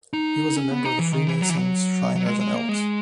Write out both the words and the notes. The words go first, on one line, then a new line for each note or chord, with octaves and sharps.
He was a member of the Freemasons, Shriners, and Elks.
D#4
C#4
B3
D#4
E3
D#3
E3
F#3
E3
F#3
F#3
G#3
G#3
A#3
G#3